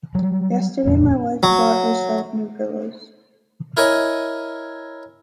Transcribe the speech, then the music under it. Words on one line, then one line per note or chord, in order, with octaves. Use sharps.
Yesterday my wife bought herself new pillows.
F#3 G3
E1 F2 A#2 C4
F#3
E4 A#4 C#5 D#5 G#5